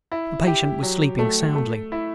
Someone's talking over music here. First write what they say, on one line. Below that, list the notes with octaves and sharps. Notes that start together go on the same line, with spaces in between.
The patient was sleeping soundly.
E4
G4
F#3
A3
A3
E4